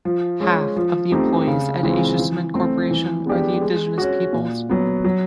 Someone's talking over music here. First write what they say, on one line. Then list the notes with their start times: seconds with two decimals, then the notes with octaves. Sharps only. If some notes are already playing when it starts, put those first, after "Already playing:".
Half of employees at Asia Cement Corporation are the indigenous peoples.
0.05 F3
0.40 G#3 C#4
0.76 F3
1.12 A3 C4 D#4 G4
1.48 C#3
1.83 E3 G#3 C4 F4
2.19 E3
2.54 A3 C4
2.91 E3
3.26 G#3 B3 D4 G4
3.61 G#3
3.98 C#4 F#4
4.33 A#2
4.70 F#3 B3
5.04 F#3